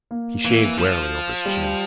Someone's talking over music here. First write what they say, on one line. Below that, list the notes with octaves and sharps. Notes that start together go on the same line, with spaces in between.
He shaved warily over his chin.
A#3
E3 A#3
F3
G3